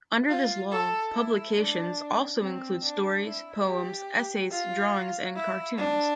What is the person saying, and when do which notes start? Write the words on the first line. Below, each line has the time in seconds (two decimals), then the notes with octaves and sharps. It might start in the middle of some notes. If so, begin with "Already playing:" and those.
Under this law, 'publications' also include stories, poems, essays, drawings and cartoons.
0.29 F4
0.71 A4
1.14 E4
1.56 D4
2.40 C4
2.83 D4
3.25 E4
3.66 G4
4.51 F4
5.36 E4
5.78 D4